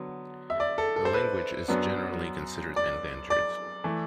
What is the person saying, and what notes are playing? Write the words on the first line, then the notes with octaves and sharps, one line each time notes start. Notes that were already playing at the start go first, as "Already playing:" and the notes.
The language is generally considered endangered.
Already playing: D3 F#3 B3
E5
D5
A4
A4
C5
B4
F#2 F#3 B3 D4
D5
D5
E3 A3